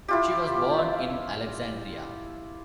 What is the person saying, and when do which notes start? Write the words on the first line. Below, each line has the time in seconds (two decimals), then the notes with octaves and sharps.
She was born in Alexandria.
0.08 E4 F4 G4